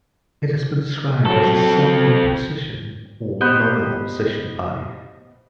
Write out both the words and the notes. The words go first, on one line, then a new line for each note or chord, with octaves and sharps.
It has been described as a "semi-opposition" or "loyal opposition" party.
F#3 C4 A4
B3 G4 C5 D#5